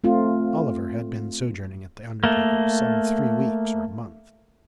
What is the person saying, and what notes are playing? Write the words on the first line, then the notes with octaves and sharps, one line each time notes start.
Oliver had been sojourning at the undertaker's some three weeks or a month.
A3 C4 F4
A3 A#3